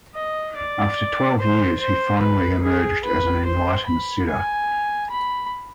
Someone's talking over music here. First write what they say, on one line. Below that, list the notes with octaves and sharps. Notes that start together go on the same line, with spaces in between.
After twelve years he finally emerged as an enlightened Siddha.
D#5
D5
C5
C5
B4
G#4
B4
C5
B5
G#5
B5